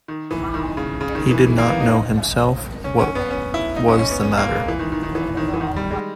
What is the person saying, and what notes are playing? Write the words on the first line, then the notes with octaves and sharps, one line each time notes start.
He did not know himself what was the matter.
D#3
E3
D#3
C#3
C#3
D#3
E3
E3
A#3
B3
D#4
C#4
C#4
B3
C#4
E4
D#4
C#4
C#4
B3
C#4
A#3
G#3
E3
D#3
D#3
D#3
E3
D#3
E3
D#3
G3
G#3